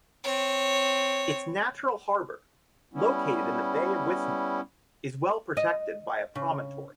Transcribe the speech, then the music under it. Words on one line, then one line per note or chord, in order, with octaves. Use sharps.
Its natural harbour, located in the Bay of Wismar, is well-protected by a promontory.
C4 C#5
G3 B3 C#4 E4
D#5
C#3